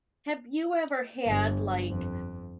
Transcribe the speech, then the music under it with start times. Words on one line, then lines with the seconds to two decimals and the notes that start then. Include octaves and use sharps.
Have you ever had, like
1.26 G1
1.89 F2